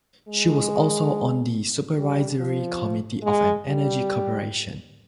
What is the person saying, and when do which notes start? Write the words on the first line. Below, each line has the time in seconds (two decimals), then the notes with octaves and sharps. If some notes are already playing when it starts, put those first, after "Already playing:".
She was also on the supervisory committee of an energy corporation.
0.28 G#3
1.97 G3
2.39 F3
3.23 G#3
3.66 G3